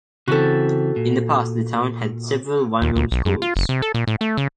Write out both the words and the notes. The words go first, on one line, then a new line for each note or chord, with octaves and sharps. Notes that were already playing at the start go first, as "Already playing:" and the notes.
In the past, the town had seven one-room schools.
C#3 E3 C4 F#4 A4
A#2
D#2
D2
B1
F#2
F4
F#1
C3
A4
A#2
A2
A3
C#3